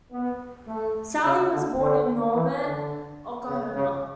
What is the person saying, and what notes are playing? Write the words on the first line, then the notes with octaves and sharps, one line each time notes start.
Salle was born in Norman, Oklahoma.
B3
A3
C#3
D3
D3
E3
D3
C#3
C#3